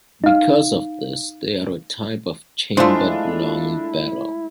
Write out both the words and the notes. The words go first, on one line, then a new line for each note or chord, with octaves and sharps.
Because of this they are a type of chambered long barrow.
D#4 F5
G#3 A3 D4 E4 F4 C5